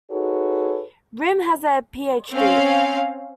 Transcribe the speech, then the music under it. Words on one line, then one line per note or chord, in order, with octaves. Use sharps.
Rimm has a PhD.
D#4 F#4 G#4 A4 B4 C#5
C4 C#4 F5